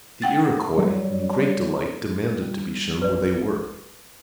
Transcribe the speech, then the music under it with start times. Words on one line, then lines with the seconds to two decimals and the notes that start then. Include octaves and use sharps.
The Iroquois, in great delight, demanded to be shown where they were.
0.22 F#5 G5 A6
0.78 F#3 G3
2.42 G3
3.02 A#1 B4 D5